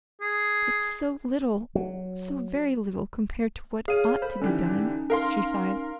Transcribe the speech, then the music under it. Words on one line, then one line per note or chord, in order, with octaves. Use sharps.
"It's so little--so very little compared to what ought to be done," she sighed.
G#4
F#3
G#4 C#5 F5 D#7
A4 C5 B5
D3 E3 C#4 D#4 G4
A#4 F5 C6